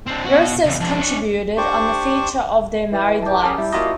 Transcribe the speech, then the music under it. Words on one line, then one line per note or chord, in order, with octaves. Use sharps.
Roces contributed on the feature of their married life.
C4 D4
B2 F#4
E2 C#3
F2 D4
D4 C#5
D4 G4 C5 D5 C#6
E3
G4 A5
C#4 G#4 A#4
G3 E4
F#3 A#3 F4 D#5